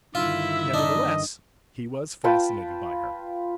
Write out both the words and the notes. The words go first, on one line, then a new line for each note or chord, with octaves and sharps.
Nevertheless, he was fascinated by her.
G2 D3 D#3 E4 F4 E5
D4 D#4 D#5
F4 B4 G5 A5